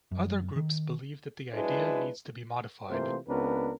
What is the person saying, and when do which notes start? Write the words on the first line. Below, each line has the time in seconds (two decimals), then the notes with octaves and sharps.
Other groups believe that the idea needs to be modified.
0.11 F#2
0.56 D#3
1.53 F3 F#3 G#3 D4 E4 B4
2.89 C3 E3 A3 A#3 F4 C5
3.27 C#2 B3 C4 D4 A#4 B4